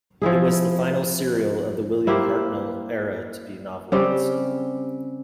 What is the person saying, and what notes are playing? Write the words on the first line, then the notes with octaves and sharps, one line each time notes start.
It was the final serial of the William Hartnell era to be novelised.
F3 C4 E4 G#4
A#3 E4 G4 C5
C#3 G3 C4 G4